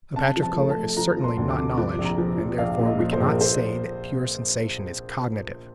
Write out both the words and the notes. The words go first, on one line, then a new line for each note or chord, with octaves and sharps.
A patch of colour is certainly not knowledge, and therefore we cannot say that pure sensation is cognitive.
C3 A5
F3
A5
A3
A5
A3
F3 A#5
F3
C6
D2
D6
C3
F3 D6
A#1
A#5
F3
F3
A#1 F5
A#2
D#5
F3
C5
A#1
A#4
C5